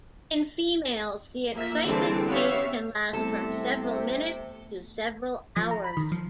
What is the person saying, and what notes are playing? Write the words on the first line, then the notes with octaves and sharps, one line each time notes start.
In females, the excitement phase can last from several minutes to several hours.
F3 A#3 E5
D3 E3 G3 C4 G#4 A5
B3 C#4 G4 C#5 E5 F5
C2 C3 A3 B3 A4
F3
A#5
B5
D#3
F3